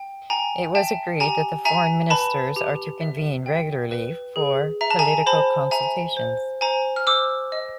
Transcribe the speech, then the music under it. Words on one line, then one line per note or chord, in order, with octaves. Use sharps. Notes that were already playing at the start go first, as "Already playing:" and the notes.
It was agreed that the Foreign Ministers are to convene regularly for political consultations.
Already playing: G5
G5 G#5 A#5
E5 G5 A5
G4 G#5 A#5
E5 G#5 A#5
B4 A5 B5
G4
E5
G5
B4
G#4
E5 A#5
A5
G#5 A#5
C5 A5 B5
E5 G#5 A#5
C5
C5 G#5 A#5
F6
C5 D6 E6
D#5